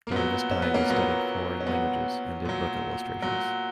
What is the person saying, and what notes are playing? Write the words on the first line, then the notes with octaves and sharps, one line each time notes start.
During this time he studied foreign languages and did book illustrations.
A#3
A#2 F#3 B3
C#4
B3
A#3 C#4
A#2 F#3 B3
C#4
A#2 F#3 B3
A#2 F#3
A#2 F#3